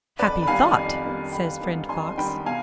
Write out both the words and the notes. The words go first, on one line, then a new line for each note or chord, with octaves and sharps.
'Happy thought!' says friend Fox.
F2 B4 D5
B5
D#3 G3 B3 F5 G#5
F2
D#3 G3 B3
F2 G5 B5
D#3 G3 B3
F2 G#5 C6
D#3 G3 B3 G5 B5
B2 F5 G#5